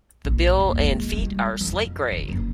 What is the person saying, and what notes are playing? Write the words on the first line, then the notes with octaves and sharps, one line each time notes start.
The bill and feet are slate grey.
A#1
D#2
G#3
G3
F2
D3
F#1